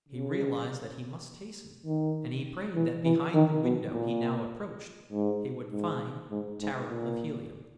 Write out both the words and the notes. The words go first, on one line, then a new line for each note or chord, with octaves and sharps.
He realized that he must hasten and he prayed that behind the window he now approached he would find Tara of Helium.
C#3
D#3
E3
E3
D#3
B2
A#2
G#2
G#2
G#2
G#2
A#2